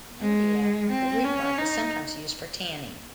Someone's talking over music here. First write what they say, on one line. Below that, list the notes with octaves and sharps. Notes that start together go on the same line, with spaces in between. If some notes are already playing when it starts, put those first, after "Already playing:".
In India, the root bark is sometimes used for tanning.
G#3
C4
C#4
D#4